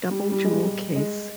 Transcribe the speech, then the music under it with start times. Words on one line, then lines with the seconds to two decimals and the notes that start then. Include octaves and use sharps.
Double jewel case.
0.11 G3
0.32 G3
0.45 G#3
0.53 G3
0.96 G#3